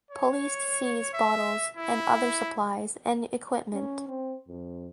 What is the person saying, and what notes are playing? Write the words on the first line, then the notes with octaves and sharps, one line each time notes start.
Police seized bottles and other supplies and equipment.
C#5
E5
E4
C#4
C4
F2